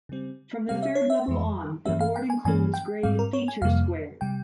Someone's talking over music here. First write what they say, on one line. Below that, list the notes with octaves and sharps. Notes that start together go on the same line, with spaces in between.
From the third level on, the board includes gray Feature Squares.
C#3 G3 C4
C3 G3 C4 F5
E5
C#5
E5
F2 E3 G#3
G2 E3 A#3 C#4 E5
F5
G5
G#5
G2 E3 A#3 C#4 G#5
G5
G#2 G3 C4 F5
A#4
C#5
G#5
F2 C3 G3 A#3 F5
C3 G3 G5